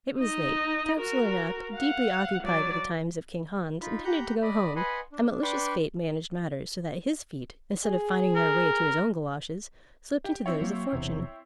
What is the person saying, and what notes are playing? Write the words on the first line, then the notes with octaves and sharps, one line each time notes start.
It was late; Councillor Knap, deeply occupied with the times of King Hans, intended to go home, and malicious Fate managed matters so that his feet, instead of finding their way to his own galoshes, slipped into those of Fortune.
D#4 D#5
F#4 A#4
F5 F#5
F#3 D5
D#4 F4 B5
G4 F#5 A#5 B5 G6
D5 D#5 B5
B4 D#5 F#5 G#5 B5 C6
D4
D4 B4 D5 G5 C6 C#6
G#4
A#4
G4
C4 E4 C#5
F#3 A#3
E1 E2 C3